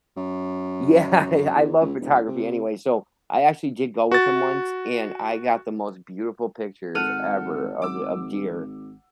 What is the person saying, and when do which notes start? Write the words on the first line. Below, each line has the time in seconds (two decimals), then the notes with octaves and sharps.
Yeah, yeah, I love photography anyway. So, I actually did go with him once, and I got the most beautiful pictures ever of of deer,
0.17 F#2
1.55 E2
1.81 C#2
2.01 E1
2.28 C3
4.12 F#4 A6
6.95 G#1 A4 F#5 F6 D#7
7.82 G#1 D6 E6